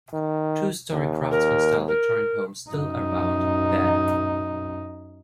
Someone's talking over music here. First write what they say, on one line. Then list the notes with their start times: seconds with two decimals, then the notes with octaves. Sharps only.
Two-story Craftsman-style Victorian homes still abound there.
0.13 D#3
0.93 D#2
1.31 A#4
1.88 A#4
2.71 F#2 D#4